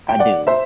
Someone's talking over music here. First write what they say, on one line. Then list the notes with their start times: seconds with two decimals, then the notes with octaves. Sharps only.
I do.
0.09 G5
0.19 D5 F#5
0.47 C5 E5